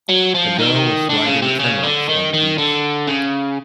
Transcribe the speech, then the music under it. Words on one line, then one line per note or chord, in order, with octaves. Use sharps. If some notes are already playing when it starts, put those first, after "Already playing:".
A girl is riding camels on the beach.
F#3
F3
D#3
D3
C#3
C3
C#3
D3
D#3
D#3
D3
C#3